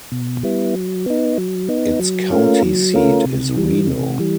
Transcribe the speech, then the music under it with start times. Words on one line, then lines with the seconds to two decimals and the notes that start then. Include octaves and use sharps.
Its county seat is Reno.
0.12 B2
0.43 G3 B3 E4
0.75 F#3
1.06 B3 D#4
1.38 F#3
1.69 B3 D#4
1.99 F#3
2.31 A3 C#4 F4 A#4
2.63 F#3
2.94 A3 C#4 F4 A#4
3.26 C3
3.56 E3 G3
3.87 C3
4.19 E3 G3